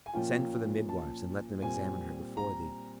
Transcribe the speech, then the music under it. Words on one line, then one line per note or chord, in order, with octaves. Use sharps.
Send for the midwives and let them examine her before thee.
G#5
A#2 F3 A#3 C#4 F4 G5
A5
A#2 G3 C4 G#5
A#5